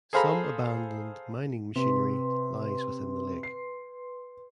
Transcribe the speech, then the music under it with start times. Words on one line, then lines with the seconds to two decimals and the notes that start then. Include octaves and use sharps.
Some abandoned mining machinery lies within the lake.
0.13 G#4 A4 C5 F5 A#5 B5
1.75 C3 B4 C6
3.43 C7